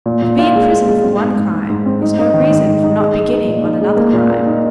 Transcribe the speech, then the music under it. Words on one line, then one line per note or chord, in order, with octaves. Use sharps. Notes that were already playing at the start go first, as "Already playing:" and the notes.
To be in prison for one crime is no reason for not beginning on another crime.
A#2
A#2
F4
G#3
A#2
G#3
C4
G#2
G#2
G#2
G#2
C4
D#4
D#4
D#3
G#2
D#4
D#4
G#3
G#3
D#4
A#2
D#4
G#3
A#3
A#2
A#3
D#4